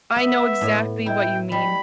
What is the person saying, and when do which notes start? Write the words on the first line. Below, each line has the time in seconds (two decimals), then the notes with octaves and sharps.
I know exactly what you mean.
0.16 B3 E5
0.61 A2
1.06 E4 G5
1.52 G3 B5